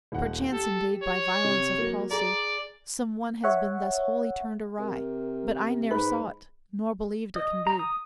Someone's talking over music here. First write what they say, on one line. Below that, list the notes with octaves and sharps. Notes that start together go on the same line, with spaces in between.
Perchance indeed by violence of palsy Some one has been thus wholly turned awry; But I ne'er saw it, nor believe it can be.
D#1 F#5
G4 A4
C#5
C3
F#3 A#3
G#4 D5 A#5
C#5 E5 F#5
C3 A#4
G#2 B4
D#5
A#5
D#6